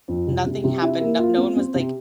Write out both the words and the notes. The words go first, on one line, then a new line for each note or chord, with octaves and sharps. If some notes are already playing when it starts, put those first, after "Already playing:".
nothing happened, no no one was like,
F2
C2
C3
C3
E4
A#3
F4
C4
C4
C3